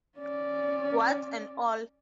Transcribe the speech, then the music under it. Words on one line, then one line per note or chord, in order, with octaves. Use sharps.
Warts and all.
C#4 D5